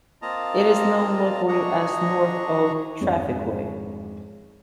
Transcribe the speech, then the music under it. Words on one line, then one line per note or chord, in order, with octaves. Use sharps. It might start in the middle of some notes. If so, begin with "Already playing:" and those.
It is known locally as North Oak Trafficway.
A#3 C4 F4 D#5 A5 A#5
D4 F#4 G#4 D#5 A#5 C#6
G#1 F2 G#2 G#3 D4 C#5